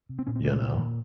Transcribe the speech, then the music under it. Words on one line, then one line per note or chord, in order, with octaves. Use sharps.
you know?
C3
C4
A#2 C#4
C4
A#2 A#3
G#3
A#2 G3
F3
A#2 D#3